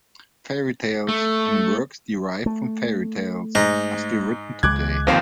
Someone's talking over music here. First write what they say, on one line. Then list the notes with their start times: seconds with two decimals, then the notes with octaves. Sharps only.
Fairy tales, and works derived from fairy tales, are still written today.
1.09 A3
2.46 A3
3.55 G#2 D#4
4.63 C#2 G#3 D6 F#6 G#6
5.07 G1 D#2 F3 C4 F5